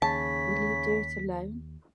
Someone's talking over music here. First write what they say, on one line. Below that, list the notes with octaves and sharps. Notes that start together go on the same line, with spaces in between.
Will you do it alone?
D#2 C#3 A5 B6